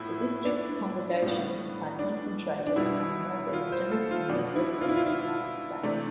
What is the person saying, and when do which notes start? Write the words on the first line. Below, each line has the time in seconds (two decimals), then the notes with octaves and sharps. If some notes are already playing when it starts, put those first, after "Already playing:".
The district's congregations are concentrated in the Northeastern and Midwestern United States.
Already playing: A2 F3 B3 E4
0.45 D4
1.22 A2 G3 B3
1.99 D4
2.67 D4
2.76 B2 G3 B3 E4
3.53 F4
3.72 C5
3.92 A4
4.11 F4
4.30 B2 B3 D4
4.56 E4
4.81 F4
4.88 E4
4.97 F4
5.06 E4
5.83 C3 E3 A3 D4